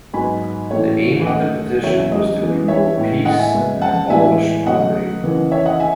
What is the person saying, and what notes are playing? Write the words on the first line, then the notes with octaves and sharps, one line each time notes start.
The aim of the petition was to promote peace and abolish poverty.
G#2 F#3 B3 G#5 B5
A2 E3 A3 C#4 C#5
F#2 D#3 A3 C#4 D#5 F#5
E2 C#3 F#3 C#5 E5
D#5
F#2 E3 G#3 B3
C#5 E5
A2 G#3 B3
D#5 F#5
E5 G#5
F#2 C#3 G#3 B3
F#5 A5
A2 E3 G#3 B3 E5 G#5
C#2 B2 F#3 A3 C#4 D#5 F#5
D#2 C#3 E3 B3
C#5 E5
D#5 F#5
E5 G#5